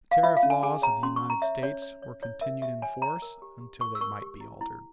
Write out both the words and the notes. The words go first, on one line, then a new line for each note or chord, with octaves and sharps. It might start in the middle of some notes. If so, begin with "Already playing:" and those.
The tariff laws of the United States were continued in force until they might be altered.
F5
F4 E5
F5
C#4
G#5
G#4 G#5
C#5 A#5
C#4 C6
C#6
C#4
A#5
C#5 E5
C#4 C#5
C#5
C#5
E4 C#5
A#4 E5
G4 E5
C#5 G#5
C#5 A#5
A#4
G4
G4
A#4 C#6
E6
A#4 C#6
G4
E4
E4